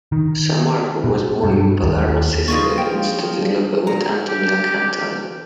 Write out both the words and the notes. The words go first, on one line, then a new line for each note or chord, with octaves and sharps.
Sammarco was born in Palermo, Sicily, and studied locally with Antonio Cantelli.
D#3
B2
G2
D#2
C#3 G3 A#3 D#4 F4 D#5 C#6
F3 G5
G3 D4
A#2 A#5
G4